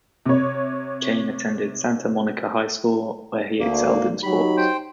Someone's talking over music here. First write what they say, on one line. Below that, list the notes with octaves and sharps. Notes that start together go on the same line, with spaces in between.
Cain attended Santa Monica High School, where he excelled in sports.
C3 C#5
D2 A#3 D5
F#3 D#4 G4 B5
C5 G5